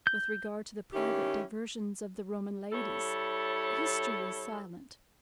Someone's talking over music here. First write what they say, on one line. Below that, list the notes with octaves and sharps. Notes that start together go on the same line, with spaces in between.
With regard to the private diversions of the Roman ladies, history is silent.
G6
D#3 C#4 E4 G4
G3 E4 A4 C#5